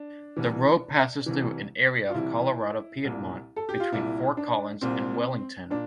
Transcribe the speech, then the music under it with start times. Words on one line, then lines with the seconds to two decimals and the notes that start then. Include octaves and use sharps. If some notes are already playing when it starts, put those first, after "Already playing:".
The road passes through an area of Colorado Piedmont, between Fort Collins and Wellington.
Already playing: D4
0.36 C2 C3 E3
1.26 C2 C3 E3
2.10 F4
2.14 C2 C3 E3 E4
3.04 C2 A#2
3.56 A4
3.69 G4
3.80 F4
3.92 C2 A#2 E4
4.37 D4
4.81 C2 A#2 C4
5.70 A#2 D4